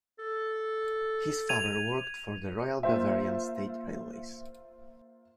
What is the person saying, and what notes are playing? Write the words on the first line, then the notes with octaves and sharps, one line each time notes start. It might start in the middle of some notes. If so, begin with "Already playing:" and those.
His father worked for the Royal Bavarian State Railways.
A4
G#6 D#7 F7
A#3 F4 C5 E5